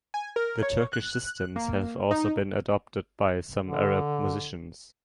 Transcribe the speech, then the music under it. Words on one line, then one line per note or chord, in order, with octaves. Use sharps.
The Turkish systems have also been adopted by some Arab musicians.
G#5
A#4
C#5
F#6
A#3
D#4
D3